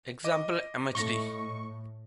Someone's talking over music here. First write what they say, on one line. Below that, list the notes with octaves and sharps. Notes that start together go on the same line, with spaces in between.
Example mhd.
D#5 D6
A2 A3 C#6 A#6 G7